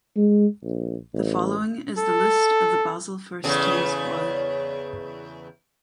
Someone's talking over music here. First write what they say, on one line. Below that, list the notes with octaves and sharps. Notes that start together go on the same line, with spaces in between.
The following is the list of the Basel first team squad.
G#3
A#1
A1
A4
E2 C#3 A3